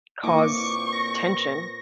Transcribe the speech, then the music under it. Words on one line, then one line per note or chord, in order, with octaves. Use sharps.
cause tension.
A#2 A#3 C4 E4 B4 D#5 C#6 D6
A#6